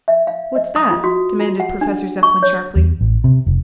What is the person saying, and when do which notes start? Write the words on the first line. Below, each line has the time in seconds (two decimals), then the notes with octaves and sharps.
"What's that?" demanded Professor Zepplin sharply.
0.08 E5
0.27 F5
0.56 D#5
0.76 D#6
0.91 F4
1.04 F#4
1.40 F4
1.60 F#5
1.81 D4
2.23 C#6
2.43 C#5
2.76 E2
3.01 A1
3.24 C3
3.46 F1